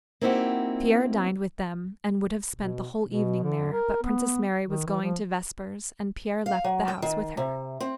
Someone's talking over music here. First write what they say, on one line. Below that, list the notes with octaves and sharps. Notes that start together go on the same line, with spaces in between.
Pierre dined with them and would have spent the whole evening there, but Princess Mary was going to vespers and Pierre left the house with her.
A#3 C4 D#4 E4 F#4 G4
B2
B2
D3
A#4
B3
D#3
E3
F3
F5
F#3
G5
D#3
C3
C4